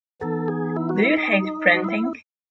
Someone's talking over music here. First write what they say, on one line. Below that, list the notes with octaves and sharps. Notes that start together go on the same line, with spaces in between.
Do you hate printing?
E3 B3 D#4 A4
G#4
E4
F#4
E4
D#4
F#4
E4